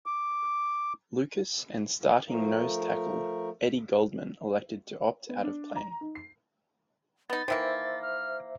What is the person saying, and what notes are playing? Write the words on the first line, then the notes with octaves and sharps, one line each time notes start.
Lucas and starting nose tackle Eddie Goldman elected to opt out of playing.
D6
F3 A3 A#4
B3
D4
A#5
D#4
C7
B3 D#4 A6
D#3 E3 A#3 C5 E5
F6